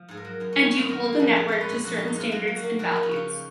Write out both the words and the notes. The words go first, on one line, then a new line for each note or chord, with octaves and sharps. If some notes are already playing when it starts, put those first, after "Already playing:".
And you hold the network to certain standards and values.
Already playing: F3
G#2 G#4
A#4
F#3
F#2 G#4
F#2 C#4
D#4
F#2 F4
D#3 A#4
A#3
G#4
F2
A#2 G#4
G#3 C#5
B4
A#2 G#4
F2 F#4
F2 D#4
D#4
G#3 F4
F#3 F4
A#3
F#4
A#3
F3 F#4
F3 B4
C#4
C#3 D#4